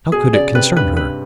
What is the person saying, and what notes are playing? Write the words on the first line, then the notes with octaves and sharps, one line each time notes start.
How could it concern her?
B2 G#4
C#3 D5
C3 B4
G2 B4
B4